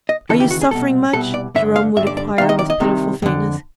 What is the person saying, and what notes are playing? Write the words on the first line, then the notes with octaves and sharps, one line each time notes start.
"Are you suffering much?" Jerome would inquire with pitiful faintness.
D#5
D#2 C#3 E3 A4
G4
F#4
G#4
C2 B2 A4
C2 B2 A4
D5
G2 D3 E5
F5
G2 D3 E5
D5
D5
C2 C3 D#3 F5
D#5
D5
D#5
C2 C3 D#3
F2 D3